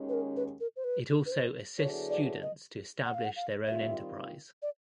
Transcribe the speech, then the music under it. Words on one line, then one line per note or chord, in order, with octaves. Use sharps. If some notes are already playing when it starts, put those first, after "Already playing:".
It also assists students to establish their own enterprise.
Already playing: D#2 D#3 G#3 C#4
B4
A#4
B4
A#4
C5
B4
B4
C5
D3 F#3 B3 E4 G#4 C#5
D5
D#5
F#5
F5
F#5
F5
D#3 G3 C4 F4 E5
D5